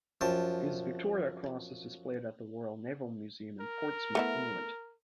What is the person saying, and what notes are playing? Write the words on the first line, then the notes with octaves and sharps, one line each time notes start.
His Victoria Cross is displayed at the Royal Naval Museum, in Portsmouth, England.
F#2 F3 G5 A5
A#4
A3 B3 E4